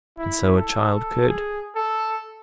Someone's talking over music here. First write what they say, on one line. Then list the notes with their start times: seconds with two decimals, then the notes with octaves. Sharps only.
And so a child could.
0.18 E4
0.56 A4
1.28 G#4
1.75 A4